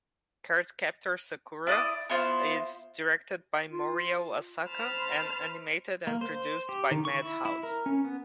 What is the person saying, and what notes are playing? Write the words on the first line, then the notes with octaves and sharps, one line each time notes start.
"Cardcaptor Sakura" is directed by Morio Asaka and animated and produced by Madhouse.
E4 D5 D#6
B3 E4 F4 C5
F4
C5 A5 B5 F6
A#3
C5
G4
D#3
C#6
E4
E4
A#4
C#4
B3